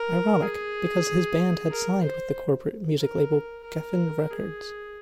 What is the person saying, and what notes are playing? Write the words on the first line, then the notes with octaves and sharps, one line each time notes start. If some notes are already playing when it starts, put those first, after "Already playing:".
Ironic, because his band had signed with the corporate music label Geffen Records.
Already playing: A#4
G#4
A#4
C5
A#4
A#4
G#4